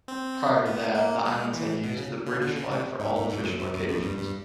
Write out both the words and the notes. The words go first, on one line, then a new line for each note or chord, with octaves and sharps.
Prior to that, the Islands had used the British flag for all official occasions.
C4
B3
A#3
G#3
E3
B2
C#3
C#3
D3
C#3
C3
G#2
G#2
G#2
F#2
F#2
F#2
F2
G2
G2